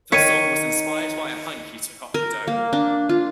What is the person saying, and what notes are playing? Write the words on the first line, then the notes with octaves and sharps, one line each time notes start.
The song was inspired by a hike he took up the dome.
D#3 D#4 C#5 B6 C#7 D#7
A#4
A#3
D4
F4